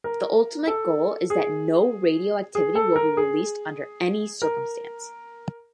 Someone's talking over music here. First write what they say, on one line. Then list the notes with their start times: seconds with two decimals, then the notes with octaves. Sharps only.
The ultimate goal is that no radioactivity will be released under any circumstance.
0.04 A#4
0.67 A4
1.30 G#4
2.55 G#4
2.75 A4
2.96 A#4
3.17 G#4
4.42 A#4